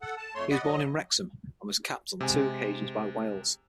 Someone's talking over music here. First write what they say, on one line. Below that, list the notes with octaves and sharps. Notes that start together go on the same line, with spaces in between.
He was born in Wrexham, and was capped on two occasions by Wales.
A4 F#5
A5
F2 A3 C#5 C6
D5 D#5 F#5 B5
F#3 D#5
C3 G#3 G#5